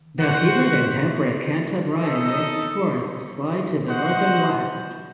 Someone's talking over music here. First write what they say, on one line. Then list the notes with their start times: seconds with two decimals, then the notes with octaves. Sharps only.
The humid and temperate Cantabrian mixed forests lie to the north and west.
0.20 F#4 C5 F#5
2.03 D#4 A4 D#5
3.87 F#4 C5 D#5 F#5